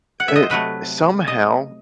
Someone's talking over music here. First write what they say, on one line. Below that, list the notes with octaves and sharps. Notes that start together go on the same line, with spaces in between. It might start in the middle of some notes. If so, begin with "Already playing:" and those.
it somehow,
F#5
E5
D#5
C5
C3 F#3 A3 B4
D#5